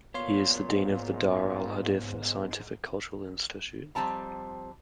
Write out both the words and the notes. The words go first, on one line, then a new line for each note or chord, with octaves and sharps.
He is the dean of the Dar Al Hadith Scientific Cultural Institute.
A#2 B3 C#5 F5 C6
G#2
F2 G3 C4 A5 A#5